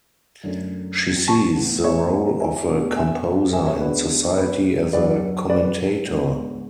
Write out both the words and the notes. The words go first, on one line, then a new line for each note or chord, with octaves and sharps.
She sees the role of a composer in society as a commentator.
F#2 D3 A3 C#4
A5 C#6
A2 E3 B3
C#5 E5
E5 G#5
B2 A3 D4
E5 G#5
E5 G#5
C#5 E5
D3 G#3 B3 D4 B4
B4
F#2 D3 F#3 B4 D5
B4 D5
B4
A4
G#2 G#3 B3 D4